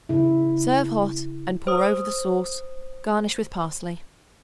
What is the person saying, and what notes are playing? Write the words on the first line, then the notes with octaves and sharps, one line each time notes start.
Serve hot, and pour over the sauce; garnish with parsley.
C#3 E4
C5 D#6